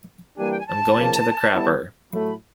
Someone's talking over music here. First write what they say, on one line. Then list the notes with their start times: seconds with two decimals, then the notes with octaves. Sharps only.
"I'm going to the crapper".
0.37 E3 G3 A#3 D4 G4 G#5
0.52 G5
0.59 G#5
0.67 A5
0.96 C#3 F3 A#3
1.54 G3 B3 E4 A4
2.12 A2 F#3 A3 B5